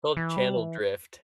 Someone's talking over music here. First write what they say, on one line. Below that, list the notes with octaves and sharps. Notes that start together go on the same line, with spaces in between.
it's called Channel drift.
E3
G3
E3